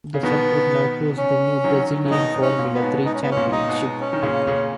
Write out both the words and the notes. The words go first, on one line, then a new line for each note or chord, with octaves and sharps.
The circuit now host the new Brazilian Formula Three Championship.
C#3
B2 D#3 B3
C#4
D#3 F#3
C#3
B2 D#3 D#4
G#2
C#4
A#2
B3
G#2 B2
G#2 D#4
C#4
B3
C#4
A#2
D#4
G#2 B2
C#4
D#3
A#2 C#3
A#2 C#3